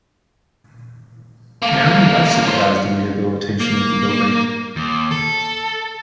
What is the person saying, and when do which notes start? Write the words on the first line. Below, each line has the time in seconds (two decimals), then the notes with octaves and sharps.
Naomi Leff supervised the rehabilitation of the building.
1.62 A3 A#3
2.44 F#3 C5
3.60 A#3
4.76 D#2
5.11 A4